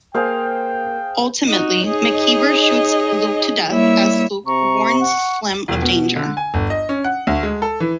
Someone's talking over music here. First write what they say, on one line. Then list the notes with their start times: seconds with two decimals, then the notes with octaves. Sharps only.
Ultimately, McKeever shoots Luke to death as Luke warns Slim of danger.
0.14 A#3 G#4 C5 F5 G5
1.48 D#4 F#4
1.85 D#4 G#4 C#5 D#5
3.69 G3 A#3 E4 C#5 E5
4.47 C3 A#5 C#6
5.00 F#5
5.68 E1
5.82 B2
6.16 D3
6.37 G#5
6.54 G1
6.70 D#5
6.89 C#4
7.04 F#5
7.27 D2
7.43 G#3
7.62 A4
7.80 E3